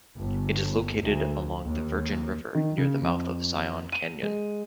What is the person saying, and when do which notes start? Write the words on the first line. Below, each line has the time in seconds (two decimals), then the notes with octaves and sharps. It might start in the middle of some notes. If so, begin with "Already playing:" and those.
It is located along the Virgin River near the mouth of Zion Canyon.
0.16 G1
1.02 D2
1.62 D#2
2.55 D#3
2.78 C#3
3.02 F2
3.93 D#7
4.23 G#3